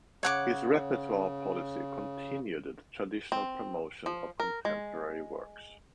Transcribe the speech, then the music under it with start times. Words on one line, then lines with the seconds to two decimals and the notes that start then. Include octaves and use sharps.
His repertoire policy continued the traditional promotion of contemporary works.
0.23 C#3 C#5 F#5 D6
3.32 C4
4.06 F3
4.40 A#4
4.65 G#3